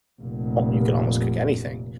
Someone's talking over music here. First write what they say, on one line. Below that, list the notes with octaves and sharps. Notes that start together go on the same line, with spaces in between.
you can al almost cook anything,
F1 A#2